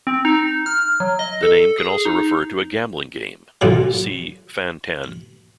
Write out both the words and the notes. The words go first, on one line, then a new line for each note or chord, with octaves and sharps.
The name can also refer to a gambling game, see Fan-Tan.
C4
D#4
F6
F#3
D#5
A4
G#4
D#4
B1 F#2 A#2